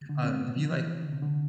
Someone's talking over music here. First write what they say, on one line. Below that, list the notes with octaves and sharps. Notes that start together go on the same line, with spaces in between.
um, have you like
D3
C4
B3
F3
E3
D3
C3
D3